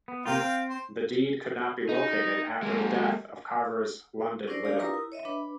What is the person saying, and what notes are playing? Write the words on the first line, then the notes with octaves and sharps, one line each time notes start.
The deed could not be located after the death of Carver's London widow.
B3
C3 A#3 F4 F5 G5
C4
C5
D#4
G#3 A#3
C#4 D4 E4 A#4 C5 D5
D4 G4 D5 F5
E4 F4 A#4 B4 A#5 D#6
E4
C#5 D#5 E5
D4 B4 B5 D6